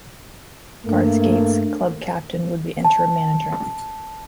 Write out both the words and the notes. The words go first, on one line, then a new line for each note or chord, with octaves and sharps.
Garth Scates, Club captain would be interim manager.
G2 A3 A#3
A5